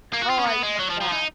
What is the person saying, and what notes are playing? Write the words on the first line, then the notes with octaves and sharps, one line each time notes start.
Oh, I would love that.
A#3
F#4
F4
C#4
B3
G#3
F#3
F3
F3
D#4